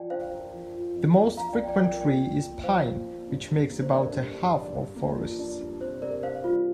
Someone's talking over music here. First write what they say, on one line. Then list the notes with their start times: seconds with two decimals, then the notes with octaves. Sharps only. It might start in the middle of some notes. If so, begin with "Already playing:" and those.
The most frequent tree is pine which makes about a half of forests.
Already playing: F3 F4 A#4 D5 G5
0.10 D4 C5 F5
0.31 A#4
0.52 F3
0.74 F4
0.96 F2
1.16 D4
1.37 F3 F5 A#5
1.53 D5 G5
1.58 F4
1.69 D5 G5
1.79 F2
1.84 A#4 D5
2.00 A#2 D5 G5
2.22 A#2
2.42 A#3
2.63 F3 C5 F5
2.85 A#2
3.06 A#2
3.28 G2
3.49 G2
3.69 A#3
3.82 C5
3.90 D3 A#4 D5
4.12 G2
4.34 G2
4.54 D4
4.75 G2
4.96 A#3
5.17 F3
5.39 D4
5.60 G2
5.81 C3 C5
6.02 C3 A#4 D5
6.22 D4 C5 F5
6.44 G3 F4